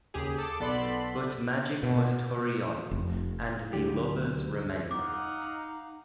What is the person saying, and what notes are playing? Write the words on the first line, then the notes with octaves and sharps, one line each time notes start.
But magic must hurry on, and the lovers remain.
D#2 C#3 G4 G#4
A4 A5 D6
B1 B3 A4 D5 B5 C6
B2
F1
D2 D3 F#3 G4
D#4 D#5 F5 F#5 D6